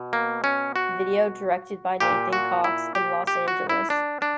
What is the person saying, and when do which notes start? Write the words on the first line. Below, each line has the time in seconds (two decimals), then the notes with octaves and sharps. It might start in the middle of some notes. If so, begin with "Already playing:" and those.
Video directed by Nathan Cox in Los Angeles.
Already playing: B2
0.13 A#3
0.44 C#4
0.76 F#4
2.00 A#2 G4
2.33 F#4
2.64 E4
2.95 G4
3.27 G4
3.48 F#4
3.69 E4
3.90 D4
4.22 D4